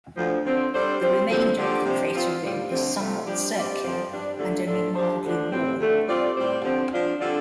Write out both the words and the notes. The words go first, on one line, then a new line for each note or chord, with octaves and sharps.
The remainder of the crater rim is somewhat circular and only mildly worn.
D2 D3 F3
D3 F3 C4
G3 D4 A4 C5
G3 C4 F4 C5
D2 D3 F3 C4 A4
D3 F3 D4 G4
C3 F3 D4 G4 C5
F3 C4 F4
A2 G3 F4
D2 D3 A3 C4
C3 F3 A3 F4
F3 D4 G4
G3 C4 G4 D5
F2 F3 C4 F4
G2 G3 D4
D3 A3 D4 F4 A4
A2 F3 D4 A4
F3 D4 G4 C5
D2 D3 F3 D4
A2 G3 C4
D2 D3 A3
G3 C4 F4 D5
A2 G3 C4 G4 C5
D3 F3 C4
F3 D4 F4
D3 G3 F4 A4 D5